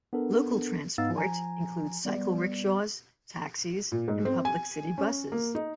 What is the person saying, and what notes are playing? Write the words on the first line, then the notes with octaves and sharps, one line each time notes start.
Local transport includes Cycle Rickshaws, Taxis and Public City Buses.
B3 D4 A4 A#4
G#2 B3 D#4 F5 E6 A6
F3 G#5 A#5
G3 B3 D5
A#2
G#2
C4
G#5
C#4
A#3
D#4